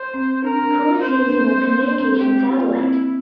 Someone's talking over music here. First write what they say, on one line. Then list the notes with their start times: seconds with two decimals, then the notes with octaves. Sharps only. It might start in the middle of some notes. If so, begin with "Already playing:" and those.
Who is Using the Communication Satellite?
Already playing: C5
0.14 C4
0.43 D4 A#4
0.59 D4
0.74 D4
1.02 C4 C5
1.18 D4
1.32 C4
1.47 A#3
1.81 D4
2.00 C4
2.19 C4 G4
2.49 F4
2.67 A#3
2.79 C4 E4